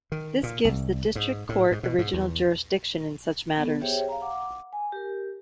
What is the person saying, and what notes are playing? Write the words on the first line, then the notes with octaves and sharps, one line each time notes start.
This gives the District Court original jurisdiction in such matters.
D#3
A#2
C2
G#2
A2
G#2
B2
G#2
E2
B3 A4
G4 G#4 C5 C#5 E5 G5
F5 A#5
F#5 D6
G#5
G4 A#4